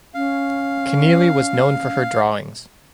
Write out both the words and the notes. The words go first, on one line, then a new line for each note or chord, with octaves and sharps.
Kenneally was known for her drawings.
C#4 F5